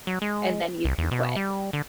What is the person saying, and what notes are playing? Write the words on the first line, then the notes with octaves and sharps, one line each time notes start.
and then you can quit."
F#3
G#3
C2
E2
B2
G3
D3